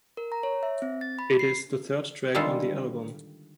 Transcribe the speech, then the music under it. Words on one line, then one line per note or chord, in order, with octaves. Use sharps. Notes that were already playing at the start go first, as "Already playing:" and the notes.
It is the third track on the album.
A#4
A#5
C#5
E5
C4
A6
B5
C7
D3 D#3 G3 G#3 F4 A4